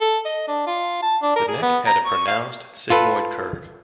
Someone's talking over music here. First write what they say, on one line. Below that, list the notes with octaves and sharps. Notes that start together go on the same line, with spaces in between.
The neck had a pronounced sigmoid curve.
A4
D#5
D4
F4
A5
D4
A#4
G#4
B3
A#5
C#6
F5
F4 A4 B4